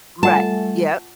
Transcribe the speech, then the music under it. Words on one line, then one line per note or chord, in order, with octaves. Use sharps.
Right, yep.
G3 A3 F4 F#5 G#5 A5